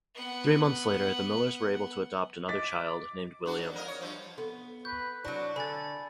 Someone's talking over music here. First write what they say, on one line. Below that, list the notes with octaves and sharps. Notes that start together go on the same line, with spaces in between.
Three months later, the Millers were able to adopt another child, named William.
B3 F#5
D#5 D6 A6 B6
D4 F#4
G#2
F2 A#4 D#5
C#5
G2 F3
B3 A4 C6
B4 C#6 G6
F#3 D4 E4 F#4
D3 A4 D5 G#5 B5 D6 A6